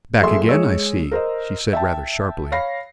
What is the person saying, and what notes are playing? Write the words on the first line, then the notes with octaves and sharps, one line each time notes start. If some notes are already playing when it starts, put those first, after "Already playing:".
"Back again, I see," she said rather sharply.
F#1 G#4 A4 E5 C6 E6
G#3 C#5 E6
A#4 C5 D#5
E5 G5 A5
C#5 F5 B5 A#6 C7